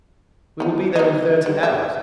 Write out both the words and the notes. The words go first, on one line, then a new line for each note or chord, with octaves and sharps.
We will be there in thirty hours.
B3 D#4
D#4 D#5
G3
E5